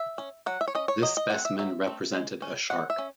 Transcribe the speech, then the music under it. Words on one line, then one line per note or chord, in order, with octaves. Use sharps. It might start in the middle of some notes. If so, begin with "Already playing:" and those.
This specimen represented a shark.
Already playing: E5
C#4
F#3 F#5
E5
C#5
C#4 D#5
C#5
F#3 D#5
D#5
A3 C4 F#5
E5
F#3 E5
A3 C4
G#3
C#4
G#3 F#5
E5
C#4